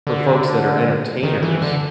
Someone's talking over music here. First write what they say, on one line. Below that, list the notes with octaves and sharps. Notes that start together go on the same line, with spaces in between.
for folks that are entertainers,
D3
D#3
E3
D3